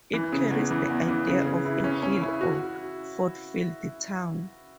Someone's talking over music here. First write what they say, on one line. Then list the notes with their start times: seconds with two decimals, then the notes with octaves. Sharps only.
It carries the idea of a hill or fortified town.
0.13 E3
0.32 C#3
0.51 E2
0.71 E3
0.90 E2
1.08 E3
1.27 C#3
1.46 C#3
1.65 E4
1.84 C#4
2.03 C#4
2.21 E4
2.41 F#4